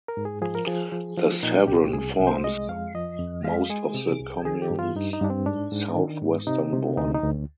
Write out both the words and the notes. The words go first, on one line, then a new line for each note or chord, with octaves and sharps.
The Sevron forms most of the communes's southwestern border.
A#4
G#2
G#4
F3 G#4
A#4
F3 G#4
F3
F3
A#2 D#4
C2 G4
C2 G#4
C2
C5
G#3 D#5
F2 F5
F3 D#5
F2
G#3 F5
G#3 G#4
C3
C2
D#3 G#4
G4
G2
F4
G2 D#4
D#4
G2 D4
C4
G#2 D4
G#2
D#3
G#2
C3 D#4
C3
D2 D#4
D#4
D2